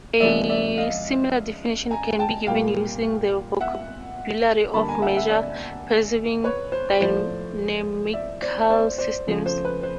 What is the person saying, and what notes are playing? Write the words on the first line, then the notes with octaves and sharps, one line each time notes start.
A similar definition can be given using the vocabulary of measure-preserving dynamical systems.
C#3 F3 G#3 B3 D5 E5
D5 E5
D#5 F5
G#5 A#5
G5 A5
A#2 G3 A#3 F5 G5
E5 F#5
D3 G3 A#3 A5 B5
G#5 A#5
E5 F#5
E5 F#5
D5 E5
B4 C#5
C5
A2 F3 A3 C5 D5
D5 E5
C5 D5
C5 D5
C5 D5
C#3 F3 A3
C5
B4
C5